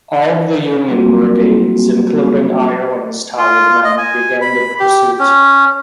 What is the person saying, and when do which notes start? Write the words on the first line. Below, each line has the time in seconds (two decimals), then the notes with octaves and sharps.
All of the Union brigades, including Ireland's tired men, began the pursuit.
0.89 F#3 G3 A#3 C4 F4 F#4
3.38 F4
3.85 D#5
3.98 G#5
4.42 B5
4.80 G4
5.19 C#4